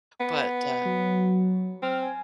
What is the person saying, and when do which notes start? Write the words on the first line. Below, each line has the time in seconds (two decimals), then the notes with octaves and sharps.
But, uh,
0.20 B3
0.85 F#3
1.82 C4 F6
2.02 G#5